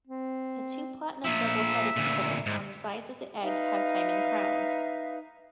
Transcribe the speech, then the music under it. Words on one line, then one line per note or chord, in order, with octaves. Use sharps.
The two platinum double-headed eagles on the sides of the egg have diamond crowns.
C4
A#2 F3 E5
D2 A#2
G#2
D#4 B4 E5 F5